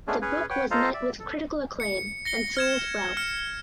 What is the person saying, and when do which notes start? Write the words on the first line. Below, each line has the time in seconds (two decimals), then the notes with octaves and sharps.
The book was met with critical acclaim and sold well.
0.07 G#3 A3 B3 C#4 D4 G#4
0.22 C#4 G#4 B4 C#5
0.50 B4 C#5 F#5 G5
0.71 F4 A4 C5 D#5 F5 A#5
0.94 D5 E5
1.20 A4
1.80 C#7
2.25 A#6 C#7 G7
2.57 F6 G#6 E7
3.17 F6 C#7